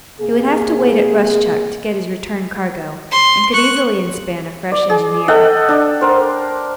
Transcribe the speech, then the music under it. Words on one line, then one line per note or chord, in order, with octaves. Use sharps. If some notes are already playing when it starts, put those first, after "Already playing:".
He would have to wait at Rustchuk to get his return cargo, and could easily inspan a fresh engineer.
C3 A#3 G#4
C6
C#6 F#6
D5
G#4
A4 D#5 F#5 G5
D4
A#4 C5